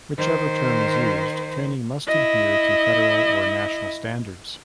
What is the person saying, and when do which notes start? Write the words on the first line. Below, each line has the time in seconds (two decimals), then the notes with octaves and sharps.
Whichever term is used, training must adhere to federal or national standards.
0.17 D#3 C5
2.07 E4 D#5